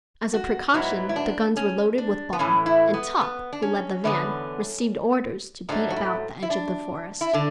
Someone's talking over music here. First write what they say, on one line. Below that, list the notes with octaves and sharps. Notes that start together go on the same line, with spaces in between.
As a precaution the guns were loaded with ball, and Top, who led the van, received orders to beat about the edge of the forest.
F#4
G#2 F#3 B3 E4
E4
D4
C#4
D4
B3
A2 E3 A3 C#4
E4
B3
B3
D4
C#4
E2 D3 G#3 B3
G#2 F#3 A3 D4
F#4
E4
E4
D4
E4
D3 D4